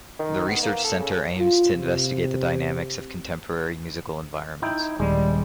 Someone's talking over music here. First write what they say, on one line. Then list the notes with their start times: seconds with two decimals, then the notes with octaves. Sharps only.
The Research Centre aims to investigate the dynamics of contemporary musical environments.
0.19 D#3
0.48 B3
0.63 A#3
0.84 A4
1.00 C#3
1.38 F4
1.75 C3
4.62 D#4 E4 G5
5.00 D#1 G3 G#3